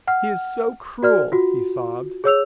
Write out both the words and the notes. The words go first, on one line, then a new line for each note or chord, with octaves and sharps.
"He is so cruel!" he sobbed.
F#5 F6
F#4 D5 F6
F4 F#4
G#4 C#5 E6 F7